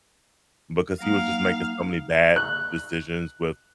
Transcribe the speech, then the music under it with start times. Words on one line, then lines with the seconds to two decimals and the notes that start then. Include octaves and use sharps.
because he was just making so many bad decisions with
1.01 F#3 A#3 D#4 F5
2.36 F#6